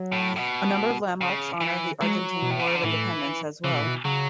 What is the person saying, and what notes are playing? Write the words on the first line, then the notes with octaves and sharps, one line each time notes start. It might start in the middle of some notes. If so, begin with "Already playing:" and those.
A number of landmarks honor the Argentine War of Independence, as well.
Already playing: F#3
A2
A2
B2
C#3
E3
F#3 G#3
B2
A2
B2
C#3
D3
A2 E3
C#3 E3
B2
A2
B2
C#3 F#3